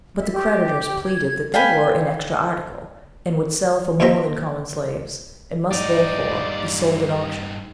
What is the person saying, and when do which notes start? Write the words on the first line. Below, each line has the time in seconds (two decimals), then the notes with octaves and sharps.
But the creditors pleaded that they were "an extra article," and would sell for more than common slaves; and must, therefore, be sold at auction.
0.17 E5
0.32 G4
1.04 G#6
1.54 F5 G5 G#5 B5
4.00 D#2 B2 C4 C5 E5 A#5
5.71 G2 D#4 D5